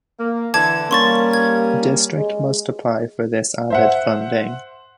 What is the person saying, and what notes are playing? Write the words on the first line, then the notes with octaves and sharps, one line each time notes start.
The District must apply for this added funding.
A#3
D3 E3 A5 D6 G#6
G3 A#3 C#4 C6 C#6 A6
G#6
G#3
C5 E5 F#5